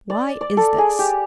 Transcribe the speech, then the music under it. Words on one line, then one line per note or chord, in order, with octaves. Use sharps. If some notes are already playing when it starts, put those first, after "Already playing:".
"Why is this?"
D5
D5
A4
G#4
G4